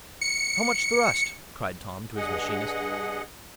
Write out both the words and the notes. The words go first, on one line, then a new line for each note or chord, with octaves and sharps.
"How much thrust?" cried Tom to his machinist.
C#7
G2 G#4 D#5 F#5